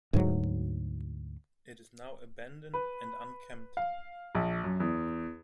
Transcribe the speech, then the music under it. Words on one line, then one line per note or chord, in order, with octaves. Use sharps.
It is now abandoned, and unkempt.
D2 G#2 F#3
B4
F5
A#1
F#2
E2